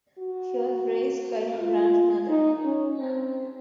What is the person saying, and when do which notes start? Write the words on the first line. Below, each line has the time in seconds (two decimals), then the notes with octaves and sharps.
She was raised by her grandmother.
0.19 F#4
1.59 F4
2.29 D#4
2.64 C#4
2.99 C4